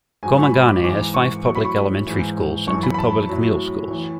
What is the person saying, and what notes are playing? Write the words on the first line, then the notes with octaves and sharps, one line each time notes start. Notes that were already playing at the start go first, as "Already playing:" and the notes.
Komagane has five public elementary schools and two public middle schools.
G#2 F#3 G#5
C#6
B5
D6
G#2 E3 D6
C#6
A2 F#3 C#6
B5
C#6
G#2 E3
F#2 E3 C#6
B5
B5
A5
B5
A2 F#3
A2 E3